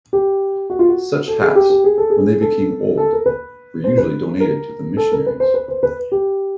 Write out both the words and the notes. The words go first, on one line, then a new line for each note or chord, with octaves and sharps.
Such hats, when they became old, were usually donated to the missionaries.
G4
F#4
F4
F#4
A4
G#4
G4
G4
G#4
A4
G#4
A4
A4
A#4
B4
C5
B4
A#4
A4
A#4
B4
C5
B4
C5
B4
G4